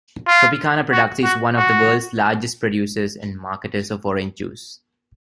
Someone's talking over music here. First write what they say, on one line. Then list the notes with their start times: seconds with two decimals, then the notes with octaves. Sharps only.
Tropicana Products is one of the world's largest producers and marketers of orange juice.
0.27 F4
0.92 F#4
1.24 F#4
1.56 F#4